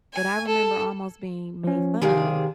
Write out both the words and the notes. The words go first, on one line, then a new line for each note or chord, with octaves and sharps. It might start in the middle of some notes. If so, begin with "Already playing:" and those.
but I remember almost being made fun of
G#5
A4
F3 C#4
C3 D#3 D4 G#4 F5